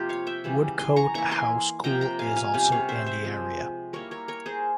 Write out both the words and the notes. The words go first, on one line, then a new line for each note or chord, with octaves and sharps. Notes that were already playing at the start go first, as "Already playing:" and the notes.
Woodcote House School is also in the area.
Already playing: C3 F3 A#3 F4 G4
C#5 F5
E5 G5
C#3 E3 G3
G#5 C6
A#5 C#6
E3 A#3 E4 A#5 C#6
G#5 C6
C3 F3 A#3 G5 A#5
G5 A#5
F5 G#5
F5 G#5
C3 G3 C#4 F5 G#5
C#5 F5
C5 E5
C5 E5
F3 G#3 C4
G3 A#3 E4 A#4 C#5
A#4 C#5
A#4 C#5
G#4 C5